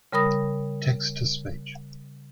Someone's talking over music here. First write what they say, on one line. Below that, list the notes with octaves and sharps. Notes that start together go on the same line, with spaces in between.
Text to Speech.
C#3 G3 A#4 B5 D#6 A#6